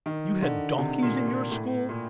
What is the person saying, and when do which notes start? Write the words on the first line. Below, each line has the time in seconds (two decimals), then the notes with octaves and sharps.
You had donkeys in your school?
0.06 D#3
0.42 D3
0.78 C3
1.02 A#2
1.28 A#2
1.51 A2
1.89 A#2